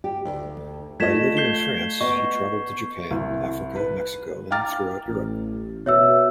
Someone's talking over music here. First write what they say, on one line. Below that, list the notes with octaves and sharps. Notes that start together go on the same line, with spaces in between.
While living in France, he traveled to Japan, Africa, Mexico, and throughout Europe.
G4
D2
A3 F4 D#5 G#6 B6 E7
G6 C7 G7
B3 D#5 C#6
C2
B4
F5 G5 A#5 D6 F6 A6
A1
B2 C#5 E5 E6